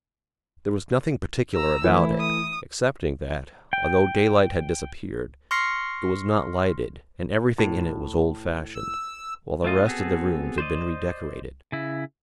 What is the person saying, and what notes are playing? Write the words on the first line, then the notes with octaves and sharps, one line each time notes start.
There was nothing particular about it, excepting that, although daylight had disappeared, it was not lighted, and everything in it was old-fashioned, while the rest of the rooms had been redecorated.
A#5 E6
E3 A3 E4
D#6
G5
C6 C#6 F6 A#6 C7 C#7
A2
E6
A3 C#4 F4 D#5
B3 C4 F#4 G#4 A4
C5 D5 D#5
C#3 E4